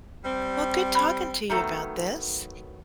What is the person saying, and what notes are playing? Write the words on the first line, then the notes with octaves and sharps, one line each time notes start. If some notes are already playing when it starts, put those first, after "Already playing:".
Well, good talking to you about this.
G3 C4
B5
D#3 F#3 A3 B3